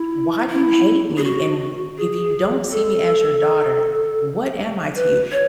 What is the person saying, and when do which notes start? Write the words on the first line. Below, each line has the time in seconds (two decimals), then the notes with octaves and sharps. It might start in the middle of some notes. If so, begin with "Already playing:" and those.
why do you hate me? And wh if you don't see me as your daughter, what am I to you?"
Already playing: E4
0.49 E4
1.18 G#4
1.24 F#4
1.98 G#4
2.72 A4
4.95 B4
5.32 C#5